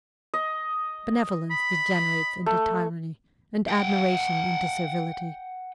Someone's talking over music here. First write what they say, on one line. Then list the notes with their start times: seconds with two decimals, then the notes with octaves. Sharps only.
Benevolence degenerates into tyranny, and admiration into servility.
0.34 D#5
1.51 B5
2.46 A3
3.68 F#5 G5